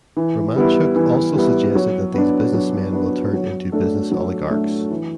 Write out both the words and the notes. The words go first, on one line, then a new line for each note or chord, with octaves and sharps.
Romanchuk also suggested that these businessmen will turn into business oligarchs.
E3
G3 B3 E4
E3
G3 B3 E4
F#3
B3 D4
F#3
B3 D4
F#3
A3 D4 A4
F#3
A3 D4 A4
E3